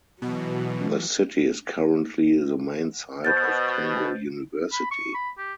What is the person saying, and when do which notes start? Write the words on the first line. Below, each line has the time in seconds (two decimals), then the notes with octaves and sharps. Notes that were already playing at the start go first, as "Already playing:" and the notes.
The city is currently the main site of Kongo University.
0.22 B2 E3 F#3
3.25 B2 C5 G6 A6
4.73 B5
4.91 C#6
5.14 B5
5.38 G4